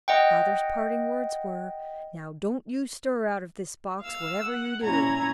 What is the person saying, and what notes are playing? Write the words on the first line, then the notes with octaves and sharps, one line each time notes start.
Father's parting words were: 'Now, don't you stir out of this box, whatever you do.
D#5 F#5 G5
F5 E6
F#5
A#2 C#4 E4 A#5 G#6